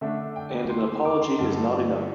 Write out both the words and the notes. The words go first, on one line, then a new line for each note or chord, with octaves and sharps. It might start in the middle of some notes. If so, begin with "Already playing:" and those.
And an apology is not enough.
D3 A3 D4 E5
G5
C6
C6
D6
C6
G2 D3 G3 A5
A5
D5